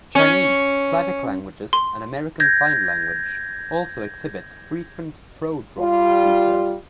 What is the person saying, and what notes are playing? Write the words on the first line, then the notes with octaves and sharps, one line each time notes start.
Chinese, Slavic languages, and American Sign Language also exhibit frequent pro-drop features.
C#4
C6
G6 G#6 A#6
G3 F4